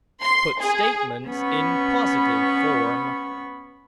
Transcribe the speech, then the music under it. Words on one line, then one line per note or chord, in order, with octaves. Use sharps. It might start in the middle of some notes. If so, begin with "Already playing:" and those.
Put statements in positive form.
C6
G#4
B3 C#4 B5 C#6